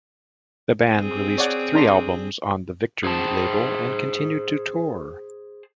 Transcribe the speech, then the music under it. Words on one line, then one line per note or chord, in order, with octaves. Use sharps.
The band released three albums on the Victory label and continued to tour.
C4 G#4
C#5 D5 F#5
D4 A#5 C6
G#4 C5 A5